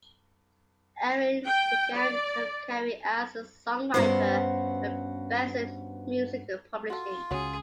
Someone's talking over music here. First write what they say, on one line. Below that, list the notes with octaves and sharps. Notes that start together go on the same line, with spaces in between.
Arends began her career as a songwriter at Benson Music Publishing.
G5
D5
G2 C3 B3 C#4 F#4 C5
F4 F#4 A4
C#2 C#3 C#4 F#4 G#4 C#5